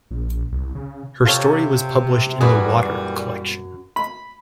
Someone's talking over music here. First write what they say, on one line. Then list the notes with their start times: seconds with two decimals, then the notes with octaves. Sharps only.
Her story was published in the 'Water' collection.
0.11 A#1
0.52 C2
0.75 C#3
1.26 C3 F4 A4 C#5
2.41 F#2 A#2 E3 G3 F#4 G#4 B4
3.96 B5